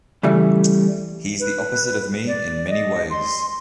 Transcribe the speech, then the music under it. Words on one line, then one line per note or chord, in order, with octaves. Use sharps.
He's the opposite of me in many ways.
C#3 E3 G3 A3
B4
D5
D#5
C6